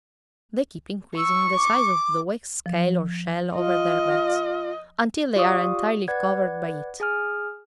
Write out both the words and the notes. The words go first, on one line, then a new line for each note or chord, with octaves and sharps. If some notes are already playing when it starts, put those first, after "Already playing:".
They keep increasing the size of the wax scale or shell over their backs, until they are entirely covered by it.
C#6 E6
D6
F3
F4 D#5
F4 G4 D5 F5 C#6 D#6
B4 D5 F#5 G#6
G#4 G#5 F6